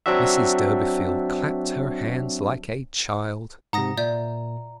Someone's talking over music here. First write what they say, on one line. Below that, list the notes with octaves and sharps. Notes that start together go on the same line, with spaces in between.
Mrs Durbeyfield clapped her hands like a child.
F#3 C4 D4 F#4 E5
G#2 C3 F#5 A#5 D#6 A#6
A#2 D5 E5 G6